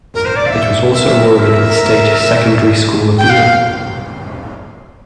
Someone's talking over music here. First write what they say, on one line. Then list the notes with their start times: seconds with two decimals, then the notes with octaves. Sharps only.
It was also awarded with State 'Secondary School of the Year'.
0.15 A#4
0.25 C5
0.36 D5
0.46 F5
0.50 E5
0.93 A#4 E5
1.41 E5
3.18 G5
3.30 F5